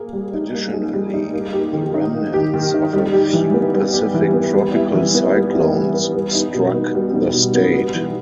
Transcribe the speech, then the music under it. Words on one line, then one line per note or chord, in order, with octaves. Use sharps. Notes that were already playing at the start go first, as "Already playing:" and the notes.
Additionally, the remnants of a few Pacific tropical cyclones struck the state.
Already playing: A#3 G#4
G3
D#4
A#3
G#4
G3
D#4
A#3
G4
D#3
D#4
A#3
G4
D#3
D#4
G3
G4
E3
B3
G3
G4
E3
B3
G3
E4
E3
B3
G3
E4
E3
B3
G3
D#4
B2
B3
G3
D#4
B2
B3
G3
E3